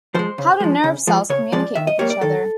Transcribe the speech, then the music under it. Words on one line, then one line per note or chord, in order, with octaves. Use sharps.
How do nerve cells communicate with each other?
F3 G#3 C5
C#3
F3 G#3
C#3
F3 G#3
C#3 C#5
F3 G#3 D5
D#3 E5
D#5
G3 A#3 C#5
D5
D#3 A4